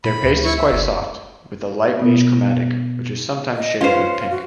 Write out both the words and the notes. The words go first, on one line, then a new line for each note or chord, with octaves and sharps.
Their paste is quite soft, with a light beige chromatic, which is sometimes shaded with pink.
A#2 B5
D2
E4 C#6
E5
F#1
B2 B3
D#5
C#4 F4 B4 C5 C7
F5
F#4